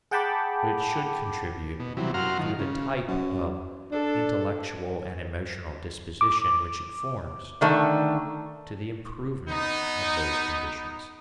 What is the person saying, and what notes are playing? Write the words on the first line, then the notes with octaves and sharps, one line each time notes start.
But it should contribute through the type of intellectual and emotional disposition which it forms to the improvement of those conditions.
G#4 F#5 G5 A5 B5 D6
B2
C3 E3 F#3 G3
F#2 F#4 F5 A#5 C6 F6
D#3 F3
C#3
F#2
D4 A4
D6
D3 D#3 A3
B3 D#4